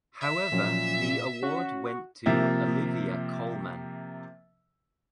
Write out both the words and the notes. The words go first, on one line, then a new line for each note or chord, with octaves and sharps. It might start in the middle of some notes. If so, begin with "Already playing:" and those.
However the award went to Olivia Colman.
E5
A#2 F3 F#3 C#4
C#4 F#4
C3 F3 A#3 E5